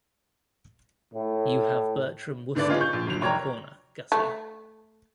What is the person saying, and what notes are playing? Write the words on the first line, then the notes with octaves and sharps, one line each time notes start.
You have Bertram Wooster in your corner, Gussie.
A2
G#2 D3 B3 D4 D5
B3 C#4 D#4 F4 G#4
C#6 G6
A#1
G1 F#3 F7
F1 C#5 D5 G5 A#5
A3